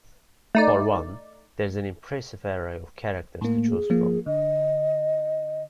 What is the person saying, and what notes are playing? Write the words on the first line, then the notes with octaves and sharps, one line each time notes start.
For one, there is an impressive array of characters to choose from.
A3 D#4 D5
A2 A#3
G#4
F3 A#3
D3 D#5